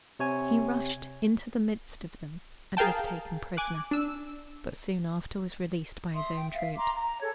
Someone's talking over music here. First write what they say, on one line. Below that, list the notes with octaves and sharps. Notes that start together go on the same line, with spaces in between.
He rushed into the midst of them, and was taken prisoner; but soon after was released by his own troops.
C3 C#5 G#5
G#4 A#4 F5 G5 A5
G#5 D6 F#6
D4 E6
E5 C6 D#6
G5
E5 F5
A#5 C6 D6
A#5
G#4 A4 C#5